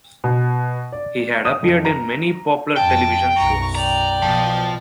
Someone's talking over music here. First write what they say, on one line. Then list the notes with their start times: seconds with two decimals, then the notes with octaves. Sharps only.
He had appeared in many popular television shows.
0.24 B2
0.92 D5
1.45 D#6
1.63 F2
1.85 A#5
2.77 F2 G5 A5
3.37 B1 F#2 A#5 C#6
3.75 D5 G5 A#5
4.22 B2 F3